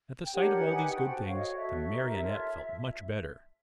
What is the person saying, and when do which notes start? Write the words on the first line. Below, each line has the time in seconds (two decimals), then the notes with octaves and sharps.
At the sight of all these good things, the Marionette felt much better.
0.23 G5
0.33 D4 G4 A#4 C#5 F#5
0.63 D#4 G4 B4
0.70 G#5
0.82 G5
0.94 F#4 A4 C5 F#5
1.03 G5
1.10 F#5
1.25 F#4 A4 C#5 F5
1.36 D#5
1.46 D5
1.57 F#4 A4 C#5 E5
1.88 D#4 G4 A#4
2.19 F4 A4 C#5